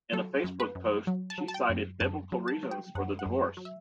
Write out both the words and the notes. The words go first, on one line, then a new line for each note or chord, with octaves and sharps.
In a Facebook post, she cited "Biblical reasons" for the divorce.
F#3 A4
F#2
B4
F#2
F#3
A5
F#3
A5
G5
F#2
F#2 A5
F#3
A5
F#3
G5
F#2 F#5
F#5
F#2
F#3
E5